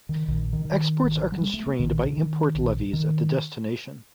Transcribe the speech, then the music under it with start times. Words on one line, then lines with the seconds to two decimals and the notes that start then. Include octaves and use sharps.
Exports are constrained by import levies at the destination.
0.09 D#3
0.28 A#1 A#2 D#3
0.53 D#3
0.65 D#3
1.04 A1 A2
1.32 F#3
1.41 G3
1.54 A3
1.67 A#3
1.79 A#1 A#2 D#3
1.92 D#3
2.04 D3
2.17 D#3
2.55 A#1 A#2
2.93 D#3